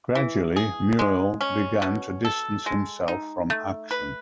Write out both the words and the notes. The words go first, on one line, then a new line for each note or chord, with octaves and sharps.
Gradually, Muehl began to distance himself from "Aktion".
E3
G#4
G#3
C#4
B2
A4
G#3
D#4
A3
B4